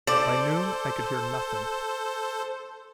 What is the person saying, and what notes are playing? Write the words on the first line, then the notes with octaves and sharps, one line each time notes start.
By noon I could hear nothing.
A4 C5 D5